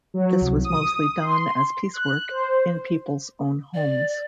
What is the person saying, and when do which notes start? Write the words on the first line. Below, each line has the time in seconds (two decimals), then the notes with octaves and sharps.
This was mostly done as piecework in people's own homes.
0.14 F#3
0.41 C2
0.64 D#6
1.22 C6
1.94 F#6
2.30 C5
3.74 D5